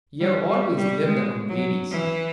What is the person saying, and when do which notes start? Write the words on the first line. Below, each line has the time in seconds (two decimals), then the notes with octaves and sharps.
You have always lived among ladies.
0.20 G3
0.49 G3
0.78 G3
1.06 G#3
1.49 F#3
1.92 E3